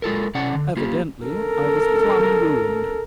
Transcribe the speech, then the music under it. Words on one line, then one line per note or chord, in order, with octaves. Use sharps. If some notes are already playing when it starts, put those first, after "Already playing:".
Evidently I was plumb ruined.
G#3 F4 A4 A#4
C3 C#4 D5 F#5
D3
A#3 F4 G4
A4 A#4